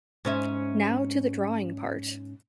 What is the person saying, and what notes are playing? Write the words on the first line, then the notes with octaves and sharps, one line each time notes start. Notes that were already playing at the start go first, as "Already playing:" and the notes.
Now to the drawing part.
G#2 C#4 E5